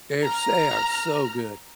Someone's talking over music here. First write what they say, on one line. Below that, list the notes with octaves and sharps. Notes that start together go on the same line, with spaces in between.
Yes, they are so good.
A#5 F6